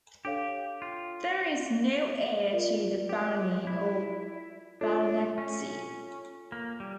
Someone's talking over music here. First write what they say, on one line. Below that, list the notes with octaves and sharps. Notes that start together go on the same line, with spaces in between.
There is no heir to the barony or baronetcy.
D4 G4 A4 C#5 F5
F4
F4 A#4 D5
G4
E4
D4 F4 A4 C#5
C#4
A#3
G3